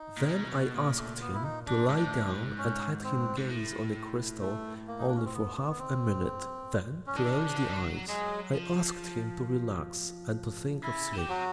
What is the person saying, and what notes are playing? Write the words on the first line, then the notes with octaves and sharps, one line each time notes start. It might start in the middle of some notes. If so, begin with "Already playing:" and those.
Then I asked him to lie down and had him gaze on a crystal only for half a minute, then close the eyes. I asked him to relax and to think of sleep.
Already playing: D#4
A#2
B2
A#2 B3
A3
B3
E4
D#4
G#2 D4
G#2
A2
G#2
C#4
C4
G#2
A2
A3
A#3
D#4
D4
C#4
C4
B3
B3
C4
C#4
D#3 D4
C#3
D3
C#3
G3
F#3
F#3 G#3 G#4
F3
C#3 E4
C3 G4
F#3 F#4